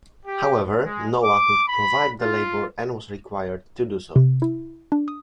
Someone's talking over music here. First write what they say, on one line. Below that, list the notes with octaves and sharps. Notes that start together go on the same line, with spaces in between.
However, Noah could provide the labor and was required to do so.
G4
G#3
D6
B5
F4
C3
E4
D4
D#6